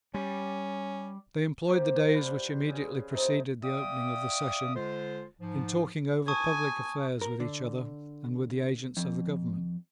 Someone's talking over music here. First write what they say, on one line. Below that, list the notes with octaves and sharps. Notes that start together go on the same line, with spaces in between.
They employed the days which immediately preceded the opening of the session in talking over public affairs with each other and with the agents of the government.
G3 C#4
F3 A#3 G4
D4 F4 B4 C5
C#3 G#5
C3 C4 D#4 A4
D5 E5 F5 G5 D6 D#6
D3 G#3 F4 C5
G#2 F3
G#5 A5 C#6 D#6
A#4
D3
F2